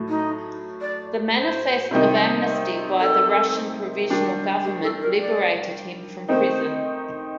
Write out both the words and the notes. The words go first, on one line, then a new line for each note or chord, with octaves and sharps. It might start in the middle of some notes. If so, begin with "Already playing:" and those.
The manifest of amnesty by the Russian Provisional Government liberated him from prison.
Already playing: A2 F#3 A3
D#4
D5
C5
C3 D#3 G3 C4 D#4
A4
D#3 G3 D4
G4
A4
A#4
D5
D#3 A3 C4 D#4 C5